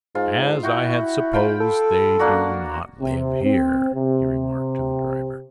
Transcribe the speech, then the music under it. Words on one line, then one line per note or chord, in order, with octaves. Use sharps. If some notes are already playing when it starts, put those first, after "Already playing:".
"As I had supposed, they do not live here," he remarked to the driver.
G#2 F4
E4 F#4 G5
F4 G5 B5
A4
A#3 D4 F#4
C3
C4
C3